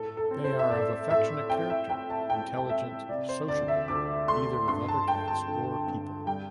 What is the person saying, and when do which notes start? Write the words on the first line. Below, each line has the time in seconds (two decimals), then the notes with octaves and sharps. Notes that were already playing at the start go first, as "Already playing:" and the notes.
They are of affectionate character, intelligent, sociable, either with other cats or people.
Already playing: A2 A4
0.17 A4
0.31 C4
0.44 C5
0.59 E5
0.70 A2 D5
1.10 A2 E5
1.50 C4 G5
1.70 E5
1.90 C4 G5
2.10 A5
2.29 C4 G5
2.58 G5
2.69 C4 E5
3.09 C3 D5
3.29 C5
3.48 D2 D5
3.68 E5
3.88 D2 D6
4.28 A3 C6
4.68 G2 C6
4.88 A5
5.08 G2 G5
5.28 A5
5.48 D3
5.87 G2
6.26 G3 G5